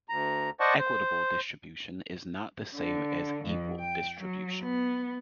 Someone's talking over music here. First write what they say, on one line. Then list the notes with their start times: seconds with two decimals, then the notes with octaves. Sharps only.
Equitable distribution is not the same as equal distribution.
0.09 D2 A#5
0.60 C5 D5 D#5 F#5 A5 C#6
0.79 C5
2.76 D3
3.44 F2
3.80 G5
4.20 F#3
4.63 B3